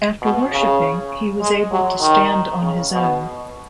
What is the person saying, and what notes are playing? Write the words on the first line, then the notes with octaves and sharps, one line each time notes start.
After worshiping, he was able to stand on his own.
B2
C#3
G#3
F#3
D#3
C#3
B2